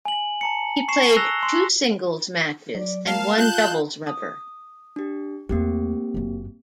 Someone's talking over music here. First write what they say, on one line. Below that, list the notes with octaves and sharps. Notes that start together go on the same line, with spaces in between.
He played two singles matches and one doubles rubber.
G#5 F#7
A5 A#5 C#7
C#6 C7 E7
E6 F#6 A#6 F7 G7
C6
F#3 D5
G#3 A#3 F5 A5
F4 F#6 G6
D#6
D4 G4
E2 A3 A#3 C4 G4
F#1 F#2